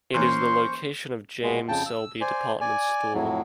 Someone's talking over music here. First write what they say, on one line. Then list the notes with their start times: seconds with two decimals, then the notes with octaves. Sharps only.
It is the location of James Selby department store.
0.14 E3 A#3 C#4 C5 C6 C#6
1.43 B2 G#3
1.69 F2 C#3 G5 A5
1.86 E6
2.21 C5 D5 G#5
2.61 D5 G#5
3.14 F2 A2 F#3